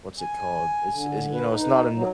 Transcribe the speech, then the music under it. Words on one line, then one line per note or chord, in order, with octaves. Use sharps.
What's it called? It's it's, you know, it's not eno
G#5
D3
B4
D#4
F#3